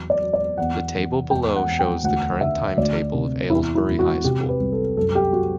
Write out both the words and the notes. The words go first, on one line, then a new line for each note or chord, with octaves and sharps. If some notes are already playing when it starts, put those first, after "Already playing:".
The table below shows the current timetable of Aylesbury High School.
Already playing: E2 F#3
D5
F#3
D5
E2 F#5
E2
E2 G5
F#5
E2
G5
D2 F#5
D3 E5
D2 D5
C3
E2 E4
E4
E2
F#4
C3 G4
B4
C2
A4
F#2 A4
G4
F#4